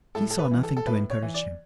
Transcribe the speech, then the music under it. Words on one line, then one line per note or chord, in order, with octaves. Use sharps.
He saw nothing to encourage him.
A2 A4
A4
B4
E3
A4
A4
A2 B4
C#5
E3
D5